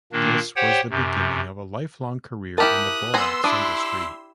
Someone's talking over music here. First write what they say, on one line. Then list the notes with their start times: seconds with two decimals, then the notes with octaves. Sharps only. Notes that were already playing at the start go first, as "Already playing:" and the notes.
This was the beginning of a lifelong career in the borax industry.
0.12 A#2 D#3 A#3 D4
0.56 G4 C5 C#5 F#5 G5
0.90 F#2 C3
2.58 E4 G4 A#4 A5 D#6 F#6
3.14 B3 G#5 A#5 C6 E6
3.44 D4 E4 G4 D6 D#6